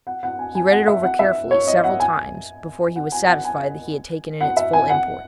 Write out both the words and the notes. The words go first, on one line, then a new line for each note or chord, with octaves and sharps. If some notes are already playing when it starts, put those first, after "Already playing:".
He read it over carefully several times, before he was satisfied that he had taken in its full import.
F#5
F#5
G#5
G#5
F#5
E5
F#5
E5
C#5
D#5
F#5
G#5
F#5
G#5
F#5
G#5
F#5
E5
G#5
F#5